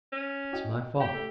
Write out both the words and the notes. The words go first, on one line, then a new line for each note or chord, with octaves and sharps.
It's my fault.
C#4
F#4 D#5 G5
G4 G5
A3